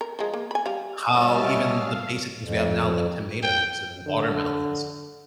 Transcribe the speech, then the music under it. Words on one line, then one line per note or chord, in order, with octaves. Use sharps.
how even the basic things we have now, like tomatoes and watermelons
A#4
F3 G#3
A#3
G#5 B5
G3 F5
G3 C#4 D#5 E5 A5 F6
F5
F2
G5
D3